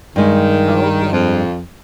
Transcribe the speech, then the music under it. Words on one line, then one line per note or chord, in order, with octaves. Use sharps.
Oh, ye
G2 D#3 G#3
F2